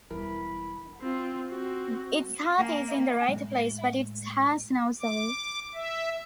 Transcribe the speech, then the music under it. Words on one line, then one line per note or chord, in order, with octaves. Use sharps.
Its heart is in the right place, but it has no soul.
E1 E3 G3 A#4 B5
C4 F4
C4 F#4
A#3
A2 G#3
D6
E5